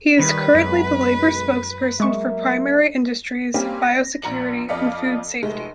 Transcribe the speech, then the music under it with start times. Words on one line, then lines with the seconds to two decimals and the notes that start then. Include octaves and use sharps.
He is currently the Labour spokesperson for Primary Industries, Biosecurity and Food Safety.
0.19 D#3 G3 B4
0.54 B1 F#2 G#3
2.00 F#3 G#3 A#3 E5 C#6
3.54 G3 A#3 C4 C#4
3.82 A#6
4.22 A#1 A#5 C#7 F#7
4.69 F2 D5 D#5 F5 B6 C#7
5.42 F1 G#3 A3